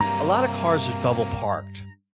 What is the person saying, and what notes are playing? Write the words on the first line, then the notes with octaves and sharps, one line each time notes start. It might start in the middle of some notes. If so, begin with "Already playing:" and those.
A lotta cars are double-parked.
G2 C3 F#3 A#3 A#5